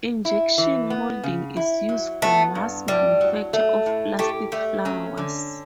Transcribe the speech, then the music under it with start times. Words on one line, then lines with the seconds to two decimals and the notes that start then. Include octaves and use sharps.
Injection moulding is used for mass manufacture of plastic flowers.
0.25 E4
0.58 E3
0.90 B3
1.23 C#3
1.56 E4
1.89 F#3
2.22 A3 B3
2.55 G2
2.88 A2 G3
3.21 F#3
3.53 A3
3.86 A2
4.19 A3 G4
4.52 G3 A3
4.85 F#3 C#4
5.17 D3